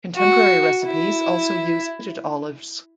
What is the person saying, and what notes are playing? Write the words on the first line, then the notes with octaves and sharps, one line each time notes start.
Contemporary recipes also use pitted olives.
F#4
E4